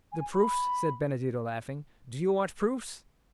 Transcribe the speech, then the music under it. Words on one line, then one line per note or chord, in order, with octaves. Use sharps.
"The proofs?" said Benedetto, laughing; "do you want proofs?"
G#5
B5